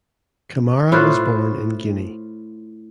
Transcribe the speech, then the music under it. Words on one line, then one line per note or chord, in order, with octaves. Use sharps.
Camara was born in Guinea.
A2 F4 B4 C5